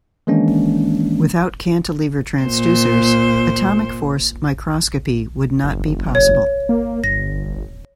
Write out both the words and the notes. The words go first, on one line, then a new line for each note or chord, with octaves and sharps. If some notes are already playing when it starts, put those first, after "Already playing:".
Without cantilever transducers, atomic force microscopy would not be possible.
D#3 E3 G#3 A#3 C#4 D4
A#2 C5
F#1
C#5
A#3
G1 A#6